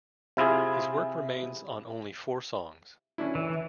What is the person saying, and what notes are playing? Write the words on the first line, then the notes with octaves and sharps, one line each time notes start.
His work remains on only four songs.
C3 E4 F4 G#4
C#4 D4 E4
E3